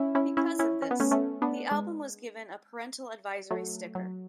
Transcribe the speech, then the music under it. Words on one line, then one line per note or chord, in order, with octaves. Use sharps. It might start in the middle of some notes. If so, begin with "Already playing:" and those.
Because of this, the album was given a Parental Advisory sticker.
Already playing: C#4 E4
C#4 E4
C#4 E4
C#4 E4
C#4
B3
A3 C#4
A3 C#4
B3 D4
G#3
F#3 A3
F#3